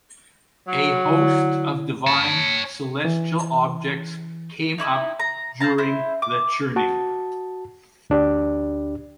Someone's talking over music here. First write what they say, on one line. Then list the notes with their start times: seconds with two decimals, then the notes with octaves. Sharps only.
A host of divine celestial objects came up during the churning.
0.68 F#3
1.06 D3 E4
2.07 C#5 A5
3.05 E3
4.78 D#4 E4 D6 D#6
5.19 A#5
5.60 C5 F5 A5 A#5
5.78 E4 C5
6.22 D6
6.76 F#4 A5
8.10 D2 D4 G4 D5